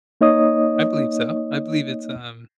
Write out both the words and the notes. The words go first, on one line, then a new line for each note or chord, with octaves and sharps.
I believe so. I believe it's, um
A#3 D#4 C#5 D#5 D#6